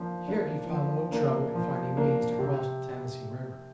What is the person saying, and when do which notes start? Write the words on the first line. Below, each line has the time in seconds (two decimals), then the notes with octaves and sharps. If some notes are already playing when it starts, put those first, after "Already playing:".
Here he found little trouble in finding means to cross the Tennessee River.
Already playing: F3 A#3 D4
0.28 A#3 D4
0.69 F3
1.12 A#3 D4
1.54 F3
1.97 A#3 D4
2.39 C3